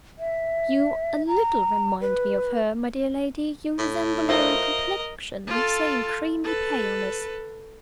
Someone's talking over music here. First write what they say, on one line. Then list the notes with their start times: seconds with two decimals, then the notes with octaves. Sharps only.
You a little remind me of her, my dear lady--you resemble her in complexion: the same creamy paleness.
0.19 E5
1.28 A#5
2.01 B4
3.78 A2
4.29 F4 A#4 C5 D#5 E5
5.47 F4 A4
6.43 A4 B4